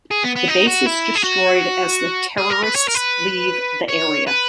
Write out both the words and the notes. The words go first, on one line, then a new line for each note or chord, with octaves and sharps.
The base is destroyed as the terrorists leave the area.
G#4
B3
B3
D#4
F#4
E4
G#4
F#4
G#4
A#4
B4
C#5
A#4
B4
C#5
B4